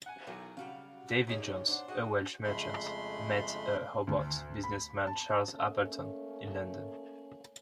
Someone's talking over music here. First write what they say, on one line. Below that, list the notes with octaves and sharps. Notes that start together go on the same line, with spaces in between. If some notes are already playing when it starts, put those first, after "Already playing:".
David Jones, a Welsh merchant, met a Hobart businessman Charles Appleton in London.
F#5 G#5
B1 D#3 E3 F#3 G#5
C#3 G3 F#4 F5
G#1 A#3 C#4 D#4 G4 G#4
D4 C5 D5 F#5
F#4 G#4 D#5 F#5
F2 C#3 G#3 A3 B5 C6
D2
B5
A5
A3 A#3 C#4